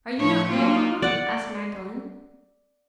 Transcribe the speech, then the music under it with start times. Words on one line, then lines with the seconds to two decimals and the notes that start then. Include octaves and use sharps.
"Are you not well, mamma?" asked Magdalen.
0.17 A2 F3 C#5
0.50 F#3 A#3 F4
1.02 D5 F#5